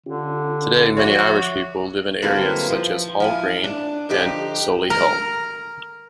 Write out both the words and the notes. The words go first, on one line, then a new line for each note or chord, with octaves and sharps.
Today many Irish people live in areas such as Hall Green and Solihull.
D3 C#4 F4 G4
F3 F#4 C#5 E5 F#5 D6
D3 E3 F#3 G3 A#3 C4
F3
F3 E4 G#5
D4
D3 F3 D#4 G4
A#4